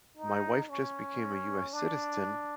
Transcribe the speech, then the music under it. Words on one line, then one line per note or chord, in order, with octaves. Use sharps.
My wife just became a US citizen,
D#4
C#4
D4